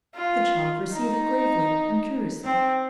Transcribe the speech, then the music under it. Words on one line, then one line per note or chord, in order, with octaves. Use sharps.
The child received it gravely and curiously.
F4
D#4
C4